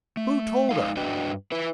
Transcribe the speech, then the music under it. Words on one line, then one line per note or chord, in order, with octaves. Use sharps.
"Who told her?"
A3
G#3 D#4 F5
G2 D4 F#4 B4 D#5 G5
E4 B4